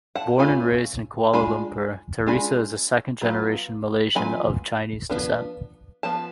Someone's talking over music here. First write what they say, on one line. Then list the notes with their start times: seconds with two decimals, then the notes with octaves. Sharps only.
Born and raised in Kuala Lumpur, Teresa is a second-generation Malaysian of Chinese descent.
0.16 F#5 A5
0.39 A3 C#4 F4 G#5 B5
1.33 G#3 D4 F4 G#5 B5
2.27 G#3 D4 F4 G#5 B5
3.21 F#3 B3 F4
4.15 F#3 B3 F4 G#5 B5
5.10 F3 B3 D4
6.03 F3 B3 A5